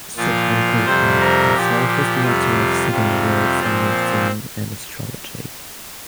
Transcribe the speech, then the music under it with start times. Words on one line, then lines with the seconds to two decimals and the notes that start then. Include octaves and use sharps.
Subhan Quli Khan himself was the author of several works on medicine and astrology.
0.17 A#2 F3 F4
0.86 F2 C3 G3 C5
1.20 A#4
1.54 A#2 F3 G4
1.88 G4
2.22 F2 C3 G3 F4
2.91 F2 C3 G3
3.59 A#2 F3 C4